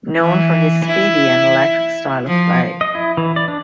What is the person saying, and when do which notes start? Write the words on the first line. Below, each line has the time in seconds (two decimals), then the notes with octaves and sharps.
Known for his speedy and electric style of play.
0.20 E3
0.86 E4
2.27 F3
2.81 D#5
2.95 E4
3.17 E3
3.36 D5
3.48 D4